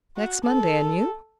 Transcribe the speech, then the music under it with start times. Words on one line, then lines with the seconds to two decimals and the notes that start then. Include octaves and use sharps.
"Next Monday; and you?"
0.17 F#4
0.45 A4